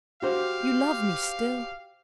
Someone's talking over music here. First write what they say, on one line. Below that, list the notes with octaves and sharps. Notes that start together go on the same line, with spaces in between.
You love me still.
F#4 G4 C5 F5